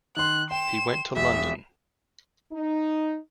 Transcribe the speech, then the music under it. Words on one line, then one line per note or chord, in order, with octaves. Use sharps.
He went to London.
D#3 C6 F#6
G5 C6 E7
E1 E5
D#4